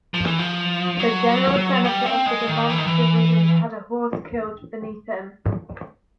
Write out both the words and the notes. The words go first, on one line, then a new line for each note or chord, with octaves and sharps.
The general senator of the Demont division had a horse killed beneath him.
F3
E3
F3
F#3
G3
C4
G#3
D#3
E3
D#3
E3